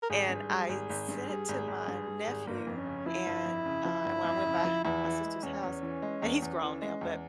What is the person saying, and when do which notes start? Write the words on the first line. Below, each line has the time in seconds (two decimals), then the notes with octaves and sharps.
And I sent it to my nephew, and, uh, and when I went by my sister's house- and he's grown now- but
0.02 A#4
0.10 G#1 G#4
0.29 G2
0.49 G3
0.69 G#1 G#4
0.90 G#1
1.08 G2
1.29 G3 G#4
1.48 G#1
1.67 G#1
1.88 G2
2.07 G3
2.27 G#1
2.47 G1 A#3
2.67 F2
2.77 C#4
2.86 C#3
3.06 F3 E4
3.26 G1
3.46 F2
3.65 C#3
3.85 F3
4.05 G1
4.25 F2
4.45 C#3
4.65 F3
4.84 E2 E4
5.04 E3
5.24 G#3
5.43 E2 C#4
5.63 E2
5.83 E3
6.02 G#3
6.22 E2
6.42 E2
6.62 E3 C#4
6.82 G#3
7.01 E2